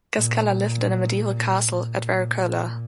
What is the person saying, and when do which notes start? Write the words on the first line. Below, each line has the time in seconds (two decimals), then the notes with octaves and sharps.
Cascella lived in a medieval castle at Verrucola.
0.15 A#2
1.70 A#2